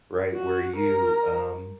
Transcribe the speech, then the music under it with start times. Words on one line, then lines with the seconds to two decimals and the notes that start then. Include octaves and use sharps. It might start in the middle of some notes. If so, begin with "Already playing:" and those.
right, where you, um,
0.35 F#4
0.76 A#4